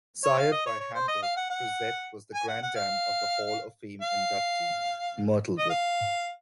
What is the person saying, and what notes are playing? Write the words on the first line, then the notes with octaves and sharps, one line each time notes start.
Sired by Hamburg, Frizette was the granddam of the Hall of Fame inductee, Myrtlewood.
C#5
F5
D#5
C#5
C#5
C5
D#5
F5
F#5
F#5
G#5
F#5
F#5
F5
F5
D#5
F5